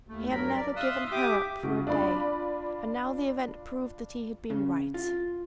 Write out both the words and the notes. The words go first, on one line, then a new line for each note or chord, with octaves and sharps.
He had never given her up for a day, and now the event proved that he had been right.
D#2 A3
G2 F#3 A#4 B5
D5
E5 F5 C6 D#6 E6 F#6
G4 E5 D6 D#6
C#3 F#4
D4 F4 D5 B5
C#3
F4